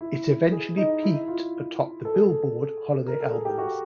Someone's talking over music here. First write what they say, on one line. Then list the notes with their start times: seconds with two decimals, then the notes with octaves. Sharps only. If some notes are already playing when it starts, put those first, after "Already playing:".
It eventually peaked atop the "Billboard" Holiday Albums.
0.01 E4
0.52 G#4
0.77 D#4
1.03 E4
1.28 F4
2.05 A4
2.14 G#4
2.24 A4
3.07 A#4
3.20 A4
3.33 G#4
3.45 G4
3.58 F#4